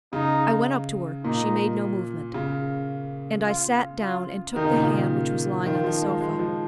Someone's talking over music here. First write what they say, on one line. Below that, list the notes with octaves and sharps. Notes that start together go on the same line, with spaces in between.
I went up to her; she made no movement, and I sat down and took the hand which was lying on the sofa.
C#3 D#4
A#2 D#4
C#3
F4
F4
D#3 D#4
C#3
A#2
C#3
D#3 F4
F3
G#3
G#3
F3